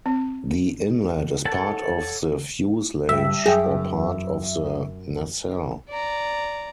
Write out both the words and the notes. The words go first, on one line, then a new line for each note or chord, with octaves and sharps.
The inlet is part of the fuselage or part of the nacelle.
C4
A4 C#5 F#5 A5
G2 E5
F#2 G#4 G5
D5 A#5